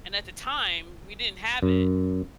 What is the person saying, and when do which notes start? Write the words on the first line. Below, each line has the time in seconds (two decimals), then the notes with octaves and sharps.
and at the time we didn't have it.
1.63 F#2